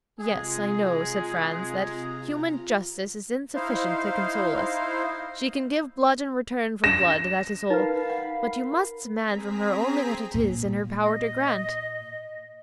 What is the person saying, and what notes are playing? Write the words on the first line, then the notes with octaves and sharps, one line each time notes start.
"Yes, I know," said Franz, "that human justice is insufficient to console us; she can give blood in return for blood, that is all; but you must demand from her only what it is in her power to grant."
C3 G#3 F4 G#4 A#5
D#4 E4 C5 F5
A#6 E7
D#4 A#4 B4 F5 B5
F#5
C4 G#4 A#5 B6
A#2
D#5